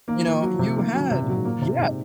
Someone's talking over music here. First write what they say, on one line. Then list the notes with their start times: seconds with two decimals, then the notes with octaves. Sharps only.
You know, you had Yeah,
0.08 D#3 A#3
0.25 A#3
0.31 F3
0.42 F#3
0.54 F3
0.59 C3
0.76 D#3 A#3
0.94 F#3
1.00 C#3
1.11 C3
1.22 A#2
1.28 F#3
1.36 G#2
1.45 A#2 A#3
1.62 C3
1.79 G#2 C3